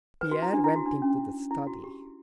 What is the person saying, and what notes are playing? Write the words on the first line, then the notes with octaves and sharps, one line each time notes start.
Pierre went into the study.
B4
F#4
E4
D4
E4
F#4
D4
C#4
E4
F#4
G4